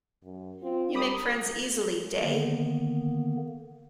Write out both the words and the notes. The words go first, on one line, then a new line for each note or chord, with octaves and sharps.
You make friends easily, Day.
F#2
C4 F4
G3 A#4 B5 D6 D#6
D3 D#3 A#3 B3